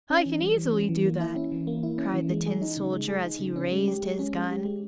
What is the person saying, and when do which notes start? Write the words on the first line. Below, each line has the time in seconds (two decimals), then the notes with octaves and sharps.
"I can easily do that!" cried the tin soldier, as he raised his gun.
0.10 C#4
0.26 E3
0.41 G3
0.57 E3
0.72 C#4
0.89 E3
1.05 A#3
1.20 E4
1.36 C#4
1.52 E3
1.67 A#3
1.83 E4
1.98 C#4
2.14 E3
2.30 G#3
2.46 G#4
2.62 D#4
2.77 C#3
2.93 G#3
3.08 G#4
3.25 D#4
3.39 C#3
3.56 C#4
3.72 G#3
3.88 G4
4.03 G#3
4.19 C#4
4.35 G#3
4.50 G4
4.65 G#3